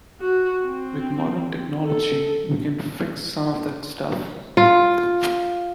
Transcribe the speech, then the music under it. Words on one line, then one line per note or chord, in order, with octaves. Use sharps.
With modern technology, we can fix some of that stuff.
F#4
C4
A4
F4